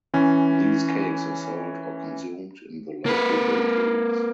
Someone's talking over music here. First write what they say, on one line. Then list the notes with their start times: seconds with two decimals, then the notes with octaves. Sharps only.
These cakes are sold or consumed in the local bakeries.
0.14 E3 C#4
3.06 A#3 B4